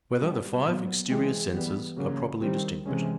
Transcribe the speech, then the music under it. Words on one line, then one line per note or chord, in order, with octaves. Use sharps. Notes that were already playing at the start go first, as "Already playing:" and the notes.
Whether the Five Exterior Senses Are Properly Distinguished?
B2 G3 B3
A#2 F#3 B3
E3 G#3 C4
E3 G3 B3
C#3 F#3 A#3 C#4
D#3 G3 C4
C3 E3 G#3 C#4